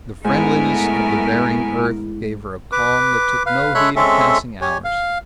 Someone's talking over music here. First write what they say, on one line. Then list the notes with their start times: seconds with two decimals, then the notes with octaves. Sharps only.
The friendliness of the bearing earth gave her a calm that took no heed of passing hours.
0.24 G#2 A3 B3 E4 A#4 G#5
2.72 B4 D6
3.46 B4 F5
3.74 G#3 A4 C#5 E5 B5 F#6
3.96 G#3 C4 C#4 A4 E5
4.61 G4 C#5 G#5
4.84 F5